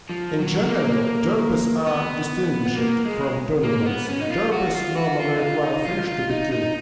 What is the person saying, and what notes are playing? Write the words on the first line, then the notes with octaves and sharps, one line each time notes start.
In general, derbies are distinguished from tournaments; derbies normally require fish to be killed.
F3
F#3
A#3
B3
B3
A#3
G#3
A#3
B3
C#4
D#4
F4
F#4
F4
F#4
F4
D#4
F4
D#4
F4
F4
D#4
D#4